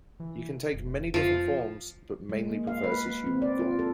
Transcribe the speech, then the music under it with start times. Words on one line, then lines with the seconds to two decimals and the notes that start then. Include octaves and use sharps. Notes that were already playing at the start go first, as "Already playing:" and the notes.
He can take many different forms but mainly prefers his human form.
0.20 E3
0.73 F1
1.14 F2 F3 F5
2.29 G#3
2.50 A#3
2.67 F5
2.84 B4
3.27 C4
3.42 D5
3.59 F4
3.79 A4